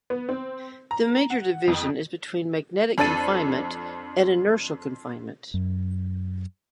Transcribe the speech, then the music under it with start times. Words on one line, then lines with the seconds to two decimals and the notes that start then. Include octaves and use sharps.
The major division is between magnetic confinement and inertial confinement.
0.10 B3
0.29 C4
0.91 A#5
1.30 F#5
1.68 F2
2.98 F2 D4 A4 A6 D#7
5.54 F#2